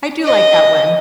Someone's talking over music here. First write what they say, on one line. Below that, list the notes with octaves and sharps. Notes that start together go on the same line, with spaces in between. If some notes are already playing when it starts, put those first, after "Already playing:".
I do like that one.
D#5